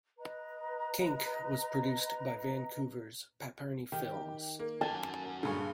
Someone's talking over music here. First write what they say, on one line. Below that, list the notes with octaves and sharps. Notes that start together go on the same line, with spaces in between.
"KinK" was produced by Vancouver's Paperny Films.
B4 D#5 A#5
D#3 G4
A#3
F#2 G#5 A5
G2 A#2 D3 G#4 C#5